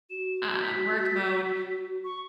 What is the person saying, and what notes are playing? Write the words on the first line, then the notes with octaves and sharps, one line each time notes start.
um, work mode,
F#4 E7
B6
C#6